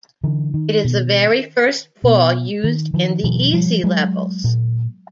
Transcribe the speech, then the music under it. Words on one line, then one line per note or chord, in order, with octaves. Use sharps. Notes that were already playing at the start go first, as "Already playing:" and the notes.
It is the very first ball, used in the easy levels.
D3 E3
D#3
B2
B2
D#3
D#3 F3
B2 E3 F#3
F3 G3
F#3 G#3
A#2